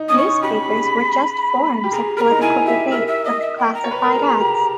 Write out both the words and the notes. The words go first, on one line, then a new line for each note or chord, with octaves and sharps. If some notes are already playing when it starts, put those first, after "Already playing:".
Newspapers were just forums of political debate with classified ads.
Already playing: D#4
C#4 D#6
C#6
D#4
G4 B5
G#4
G4
G#4 A#5
A#4 A#5 B5
D#4
E4 G#5
G4 E5
A#4 E5
E5
D#5
E5
G5
A#5
C#5
B4
A#4
G#4
G#4
G4